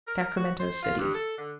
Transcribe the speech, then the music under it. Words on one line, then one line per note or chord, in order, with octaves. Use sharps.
Sacramento City.
A#4
F#4
C5
F4
G2
A4
D3